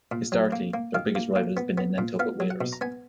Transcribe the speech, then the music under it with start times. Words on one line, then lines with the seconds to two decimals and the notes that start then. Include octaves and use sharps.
Historically, their biggest rival has been the Nantucket Whalers.
0.12 A#2
0.32 F#3
0.52 A#3
0.74 A#3
0.94 D#3 F5
1.15 A#3
1.36 A#3
1.57 B3
1.78 B3
1.98 A#2
2.19 B3 F5
2.40 F#3
2.50 F#5
2.61 B2
2.73 A#5
2.81 B3 G#5